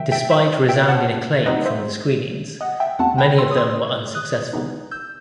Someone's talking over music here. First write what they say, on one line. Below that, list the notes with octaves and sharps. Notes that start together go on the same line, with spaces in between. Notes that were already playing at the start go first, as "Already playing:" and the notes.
Despite resounding acclaim from the screenings, many of them were unsuccessful.
Already playing: C3 D#3 F#3 E5 G5
E5 G5
C5 E5
E5 G5
F#5 A5
F#2 E3 G3 C4 D#4 D#5 F#5
C5 E5
D#5 F#5
E5 G5
E2 B2 A3 C4 F#5 A5
G5 B5
C6 E6
D#6
C6 E6
D#6 F#6
C3 E3 B3 D#4
E6 G6